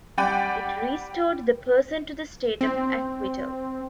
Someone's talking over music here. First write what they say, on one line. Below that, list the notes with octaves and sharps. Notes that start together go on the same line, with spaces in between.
It restored the person to the state of acquittal.
G3 D5 F#5 G5 B5 D#7
C4